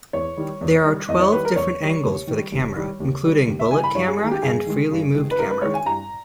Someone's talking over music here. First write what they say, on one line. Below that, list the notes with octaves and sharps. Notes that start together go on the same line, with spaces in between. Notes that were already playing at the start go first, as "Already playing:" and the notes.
There are twelve different angles for the camera, including "bullet-camera" and freely moved camera.
E2 C#5
D#3 G3
E2
D#3 G3
E2 D#5
C#5
D#3 G3 B4
A#4
E2 C#5
D#3 G3
D#2
D#3 G3
D#2
D#3 G3
D#2
D#3 G3
D#2
E5
D#3 G3 G#5
B5
G2 C#5
G#4
G#3 G#4
D#3
G4
G2 G#4
D#3 G#3
G2
D#3 G#3
B4
G2 A#4
B4
D#3 G#3 C#5
G#5
G2 A#5